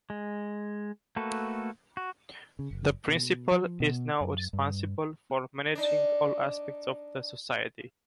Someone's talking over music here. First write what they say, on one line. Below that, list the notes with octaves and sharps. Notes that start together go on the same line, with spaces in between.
The Principal is now responsible for managing all aspects of the Society.
G#3
A3 A#3 F#4 A4 B4
F#4
C#3
F#1
B2
F3
B2
F#2
G2
D4 D#4